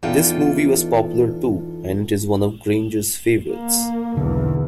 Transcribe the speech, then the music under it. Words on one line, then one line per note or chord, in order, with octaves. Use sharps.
This movie was popular too, and it is one of Granger's favourites.
E2 D#4 F4 A4 G5
A#3
B1 E2 D3